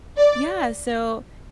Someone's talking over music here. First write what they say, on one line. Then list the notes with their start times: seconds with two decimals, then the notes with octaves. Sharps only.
Yeah, so
0.17 D5